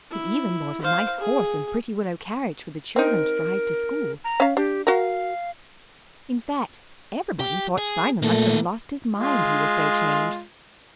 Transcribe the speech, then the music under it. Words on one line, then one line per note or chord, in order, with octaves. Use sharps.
He even bought a nice horse and pretty willow carriage for the children to drive to school; in fact, everybody thought Simon must have lost his mind, he was so changed.
E4
C5 F5
G#4
C4 D#4 A#4
A#5
C#4 F5
D4 G4
F#4 A#4 F5
G4
G#4
A#2 A3 A#3 A4
G#3 F4